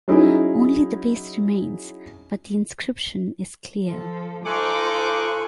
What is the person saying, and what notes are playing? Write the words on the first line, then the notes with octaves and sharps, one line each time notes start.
Only the base remains but the inscription is clear.
F#3 C#4 D#4 E4 G#4
F3 A4
D#4 F4 A4 C5 G#5 C#6 D6 F#6